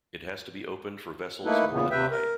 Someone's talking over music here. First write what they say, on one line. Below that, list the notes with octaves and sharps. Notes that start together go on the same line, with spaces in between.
It has to be opened for vessels more than high.
A3 A#3 D#4 E4 A4 B4
A#2 C#3 B3
C3 B4 E5 G5
A#4